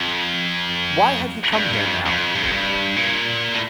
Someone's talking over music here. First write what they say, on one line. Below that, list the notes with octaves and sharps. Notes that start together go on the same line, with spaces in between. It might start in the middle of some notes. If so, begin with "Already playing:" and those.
Why have you come here now?
Already playing: F2
G2
G2
F2
F2
G2
F2
G2
A#2
A2